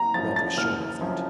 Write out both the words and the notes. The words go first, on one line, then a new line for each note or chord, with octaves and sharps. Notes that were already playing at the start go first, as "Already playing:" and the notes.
Rod was sure of that.
Already playing: F#1 A#5
F#2 F3 A6
A6
F#1 F6
F#2 F3